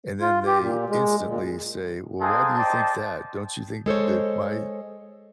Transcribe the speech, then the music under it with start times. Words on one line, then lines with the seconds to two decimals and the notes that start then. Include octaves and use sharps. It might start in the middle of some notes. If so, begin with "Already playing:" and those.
and then they instantly say, “Well, why do you think that? Don't you think that my
0.21 F4
0.46 G4
0.61 A#2
0.90 G#3
1.27 A#2
2.20 G#3 A#3 C4 D#4 G#4 A4
2.57 C5 D5 D#5 G5 A5
3.86 G#3 A4 C5 C#5